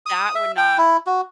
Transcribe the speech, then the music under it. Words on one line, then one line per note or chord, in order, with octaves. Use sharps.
That would not
D#6
E5
G5
E4
F#4